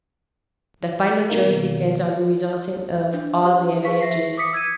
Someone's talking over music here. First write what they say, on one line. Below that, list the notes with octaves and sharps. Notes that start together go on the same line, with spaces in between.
The final choice depends on the resultant of all the advantages.
B2 D#3 A#3
D4
G4 C5
G#4 B4 F5 C#6 B6
E5 A#6 C7
D6 D#6 B6 C#7
E6 G#6 B6 D#7